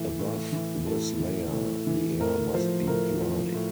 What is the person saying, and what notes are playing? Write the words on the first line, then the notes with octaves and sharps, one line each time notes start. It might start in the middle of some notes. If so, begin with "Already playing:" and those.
Above this layer, the air must be dry.
Already playing: A2 E3
A2
E3
A2 A4
E3
A2
E3
A2 A#4
F3 C5
A2 A#4
F3
A2